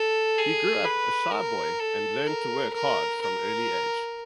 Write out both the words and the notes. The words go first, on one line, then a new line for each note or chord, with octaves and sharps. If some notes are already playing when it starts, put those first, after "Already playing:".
He grew up a shy boy and learned to work hard from early age.
Already playing: A4
G#4
B4
A#4
A4
A#4
A#4
A#4